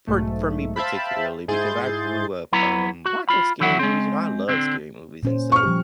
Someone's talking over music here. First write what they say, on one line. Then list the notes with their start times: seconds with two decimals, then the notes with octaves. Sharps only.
per for me particularly, because I grew up, um, watching scary movies, you know, I love scary movies, and so,
0.07 B1 G#2 A3
0.76 C5 E5 F5 G5 A5 B5
1.48 G#2 E4 G#4 C6 G6 A6
2.52 F#3 B3 E4 A#5
3.06 F#4
3.29 F4 B5
3.60 D#2 E3 F#3 E4 F#5
3.79 G#3 C4
4.49 D3 C4
5.23 A#2 C#4 C5
5.52 C#6 F6
5.63 F3 G3 G4